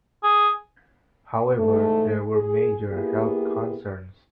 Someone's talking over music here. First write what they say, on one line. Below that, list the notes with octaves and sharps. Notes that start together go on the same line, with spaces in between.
However, there were major health concerns.
G#4
E2 G#2 A3 A4
G#4
A#3 B3 E4 F4 G4 G#4